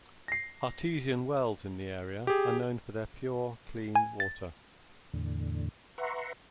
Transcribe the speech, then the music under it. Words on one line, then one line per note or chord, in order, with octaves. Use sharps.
Artesian wells in the area are known for their pure, clean water.
A#6 C7
G4 G#4
G#5
A6
E2 A2 D3
B4 E5 F#5 A#5 C6 C#6